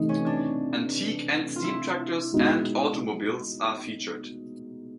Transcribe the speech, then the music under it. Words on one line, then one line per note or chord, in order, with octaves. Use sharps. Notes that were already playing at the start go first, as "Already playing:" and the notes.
Antique and steam tractors and automobiles are featured.
Already playing: C3 E3 A3 D#4
C#4
D4
F4
E4
B2 G#3 B3 D#4 F#4